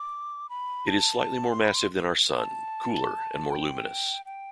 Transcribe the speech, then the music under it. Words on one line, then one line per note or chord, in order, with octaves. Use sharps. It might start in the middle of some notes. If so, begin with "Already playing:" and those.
It is slightly more massive than our Sun, cooler and more luminous.
Already playing: D6
B5
A5
C6
B5
C6
A5
G5
G5